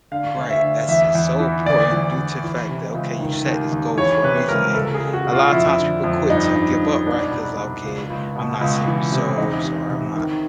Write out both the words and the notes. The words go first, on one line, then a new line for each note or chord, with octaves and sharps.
Right, that's it's so important due to fact that, okay, you set this goal for a reason, and a lotta times people quit to give up, right? 'Cause, "Okay, I'm not seeing results or I'm not
D3 F5
D2
E5
D3
E2 E5
E2
E3
D2 D5
E3
D2
E3
C3
C#2
D#3
D#2
D#2
E3 C#5
C3 B4
C#2 A#4
C#2 A4
G#4
C#2
F#4
B2
F4
F2 E4
D3
F2
G2 D#4
G2
G2
B2 D4
C2
C2
C#2
C#2
B2
C#2
E3
C3
E2 D#4
C3
C3
D#3